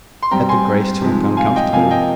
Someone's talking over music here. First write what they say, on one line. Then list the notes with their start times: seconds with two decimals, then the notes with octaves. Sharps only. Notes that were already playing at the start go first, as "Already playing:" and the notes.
He had the grace to look uncomfortable.
0.23 C6
0.31 G2 G3 C4 G5 A#5
0.49 G#5 C6
1.02 C3 F3 G#3 D#4
1.37 F5 G#5
1.56 D#5 G5
1.73 C3 F3 A#3 F5 G#5
1.91 D#5 G5